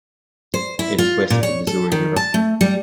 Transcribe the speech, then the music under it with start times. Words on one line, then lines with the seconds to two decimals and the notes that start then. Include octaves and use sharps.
It is west of the Missouri River.
0.54 C5
0.79 E4
0.98 F4
1.30 A#2
1.43 C#5
1.67 A4
1.92 D#3
2.16 A5
2.34 A3
2.61 G3